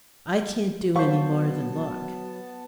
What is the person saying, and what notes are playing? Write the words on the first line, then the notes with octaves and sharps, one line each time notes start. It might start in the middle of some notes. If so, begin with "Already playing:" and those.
"I can't do any more than look."
F#3 B3 C5 F5 A5 C#6